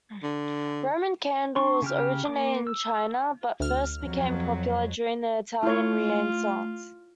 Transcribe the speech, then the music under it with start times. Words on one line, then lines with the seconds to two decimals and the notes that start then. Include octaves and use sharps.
Roman candles originated in China, but first became popular during the Italian Renaissance.
0.23 D3
1.56 D4 C6 C#6
1.82 C#3 G4 F6
2.25 A#3 D6
2.67 E6
3.60 D2 F6
4.00 F2 F#3
5.63 A3 E4 F4 C#5